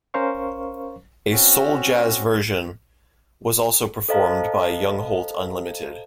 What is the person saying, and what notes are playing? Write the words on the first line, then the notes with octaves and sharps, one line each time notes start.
A soul-jazz version was also performed by Young-Holt Unlimited.
C#4 A#4 C5 F5 C#6
C4 C#4 F#4
A4 C5 D#5 F5 A5 A#5